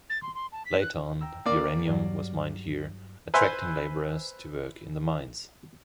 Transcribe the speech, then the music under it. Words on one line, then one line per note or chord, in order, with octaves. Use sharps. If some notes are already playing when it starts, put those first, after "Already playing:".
Later on uranium was mined here, attracting laborers to work in the mines.
A6
C6
C6
A5
B6
F#6
G5 A#5 E6
A#3 D5
G2 F#3
B4 C5 E5 G#5 C6